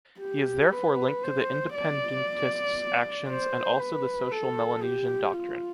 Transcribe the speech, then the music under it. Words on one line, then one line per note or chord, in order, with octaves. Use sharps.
He is therefore linked to the independentists ‘s actions and also the social Melanesian doctrine.
G4
B4
C5
D5
C5
B4
A4
G4
F4